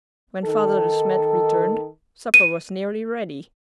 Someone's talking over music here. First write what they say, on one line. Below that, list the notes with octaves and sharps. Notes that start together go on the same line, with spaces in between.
When Father De Smet returned, supper was nearly ready.
D#3 A4
D#7